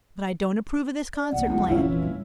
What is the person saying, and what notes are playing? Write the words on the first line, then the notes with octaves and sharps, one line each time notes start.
But I don't approve of this concert plan.
D5
C2 F#5
F2 G#2 F3
F1 A#1 C#4 E4 F4
E3
G3